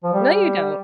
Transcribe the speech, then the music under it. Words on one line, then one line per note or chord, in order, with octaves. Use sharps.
No, you don't.
F3
G3